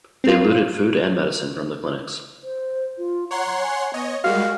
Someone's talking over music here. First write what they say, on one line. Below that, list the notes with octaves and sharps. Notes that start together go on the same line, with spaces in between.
They looted food and medicine from the clinics.
C4 F4
C5
F4
C#5 F#5 A#5 C6
G#5
B3 C#5 D#5
G3 G#3 F#4 A#4 F5